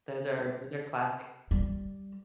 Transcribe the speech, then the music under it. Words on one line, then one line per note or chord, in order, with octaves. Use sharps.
Those are those are classics.
G3